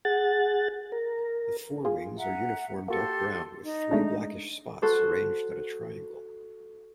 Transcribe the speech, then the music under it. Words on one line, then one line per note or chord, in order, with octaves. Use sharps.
The forewings are uniform dark brown with three blackish spots arranged in a triangle.
G#4 F#5 A6
A#4
F4 G#4
E5 F#5 A#5
A#3 F#4 G4 A4 C6 C#7
D#4
G#3 A3 D4
F#4 A4 C5